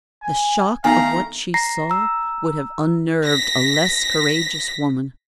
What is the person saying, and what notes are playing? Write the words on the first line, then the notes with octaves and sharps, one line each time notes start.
The shock of what she saw would have unnerved a less courageous woman.
G#5
D#3 A3 B3 F5 G#5 A#5
A#5 A#6 C7
A#5 E6
A#6 B6